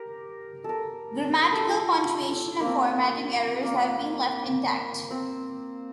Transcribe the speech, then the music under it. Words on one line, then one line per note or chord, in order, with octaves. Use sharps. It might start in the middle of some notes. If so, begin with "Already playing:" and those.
Grammatical, punctuation and formatting errors have been left intact.
Already playing: G4 A#4
A4 A#4
A#4
A4
G4
F4
A#3
C4
A#3
C4